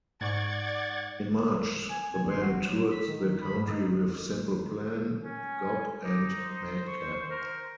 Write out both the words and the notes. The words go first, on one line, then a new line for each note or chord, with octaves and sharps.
In March the band toured the country with Simple Plan, Gob and Madcap.
G#2 D5 F#5 C#6 G#6 A6
G#5
G#5
C6
F#4
F#3
B6
D#3
D#3
B5
G#2
D#4
C#4 G#5
D#4 D6
C5
C#6
A#4